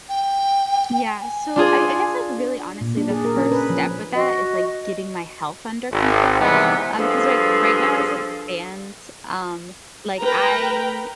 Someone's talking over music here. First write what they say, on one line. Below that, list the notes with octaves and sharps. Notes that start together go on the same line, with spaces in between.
Yeah. So, I I guess, like, really honestly, the first step with that is, like, getting my health under control, uh, because, like, right now as it stands, um, like, I
G5
G#5
D4 F4 G#4
A#2
D4
G#4
A#4
C#4
B4
F3
F#4 D#5
G#1
C3 D#3 E3 G3 G#3 B3
G2 F3 G#4 A4
A#4 B4 G5 A#5